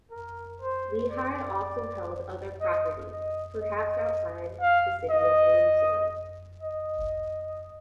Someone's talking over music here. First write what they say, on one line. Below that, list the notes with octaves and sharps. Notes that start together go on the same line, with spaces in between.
Lehi also held other property, perhaps outside the city of Jerusalem.
A#4
C5
D5
D#5
D#5
D#5
F5
D#5
D#5